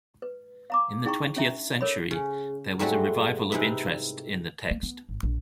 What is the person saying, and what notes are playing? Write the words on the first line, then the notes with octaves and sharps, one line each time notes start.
In the twentieth century there was a revival of interest in the text.
B4
F5 A#5 D6
D#4 E4 G#4 G5 A#5 C#6
C#4 D4 E5 A#5
A4 A#4 C#5 B5
C#3
G#2 F#3 G3 A3 C4 F#4
C3 D#4 E4 B4
A#3
B3
G#1
A#1